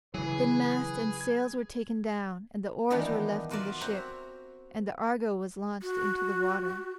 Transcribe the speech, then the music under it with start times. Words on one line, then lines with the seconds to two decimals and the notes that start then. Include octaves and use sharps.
Then mast and sails were taken down and the oars were left in the ship, and the Argo was launched into the water.
0.14 C#3 E3 F#3 G#4 B4
1.21 G#6
2.90 D#3 E3 G3 B3 D4 D#4
3.51 F4 F#4 A#4 D5 E5 F5
3.81 C4 F#4 E5 F#5 A#5
5.82 F#4